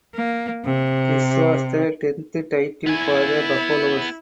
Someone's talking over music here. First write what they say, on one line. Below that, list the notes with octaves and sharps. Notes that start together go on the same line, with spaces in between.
This was the tenth title for the Buffaloes.
A#3
C3
B3 E4 G#5